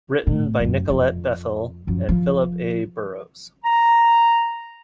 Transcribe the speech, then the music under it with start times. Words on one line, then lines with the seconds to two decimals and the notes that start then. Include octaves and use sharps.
Written by Nicolette Bethel and Philip A. Burrows.
0.27 A2 C3
0.60 F#2 F#3
0.90 F2
1.87 F#2 F3
2.09 F3
3.64 A#5